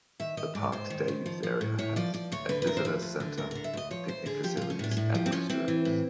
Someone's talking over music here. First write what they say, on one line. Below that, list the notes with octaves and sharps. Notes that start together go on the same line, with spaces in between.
The park's day-use area has a visitor center, picnic facilities, and restrooms.
D#3 E5
D#3 D#5
G#2 D5
G#2 C5
D#3
D#3
F3
F3
A2
A2 C#5
F3 D5
F3 D5
D2 C#5
D3 B4
B4
D2 A#4
C5
F3 B4
D2
D3
D2 A#4
D3 A#4
E5
D2 D#5
F3 C#5
D2 C5
D3 G#4
F3 G4
F3 F4
C#4
A2 D4
C#4
A2 D4
F3 G4
C4
F3 C#4
E3 C4
E3
A2